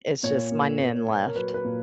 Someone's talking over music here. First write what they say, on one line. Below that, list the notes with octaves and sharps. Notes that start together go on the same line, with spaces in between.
it's just my Nin left.
A#2 C#5
A#3
A#2
A#2
A#4
F#3 B4
B4
A#2